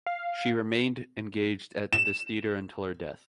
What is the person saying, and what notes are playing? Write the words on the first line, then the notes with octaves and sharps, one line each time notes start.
She remained engaged at this theater until her death.
F5
E7